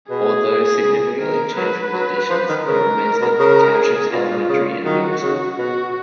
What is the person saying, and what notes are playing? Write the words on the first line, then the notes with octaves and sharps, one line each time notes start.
Although significantly changed with additions, it remains the township's elementary and middle school.
B2 G#4
C#3
D#3 A#4
F#3 B4
F#3
F3
D#3
C#3 A#4
B2
C#3 A#4
G#4
B2 F4
A#2
C#3
D#3 F#4
C#3
B2 F#4